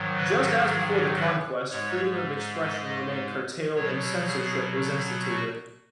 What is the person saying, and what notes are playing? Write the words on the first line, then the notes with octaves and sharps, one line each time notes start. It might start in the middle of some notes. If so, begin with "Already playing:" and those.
Just as before the conquest, freedom of expression remained curtailed and censorship was instituted.
Already playing: G#2 D#3 F#3
B4
G#4
B4
G#2 G#3 C#5
D#5
B2 F#3 C#5
G#4
F#4